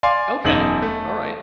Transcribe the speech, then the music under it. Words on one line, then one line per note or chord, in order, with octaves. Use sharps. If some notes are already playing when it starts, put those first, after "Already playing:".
Okay. Alright.
D5 F5 G#5 C6
E1 F#2 D#4 F#7
A3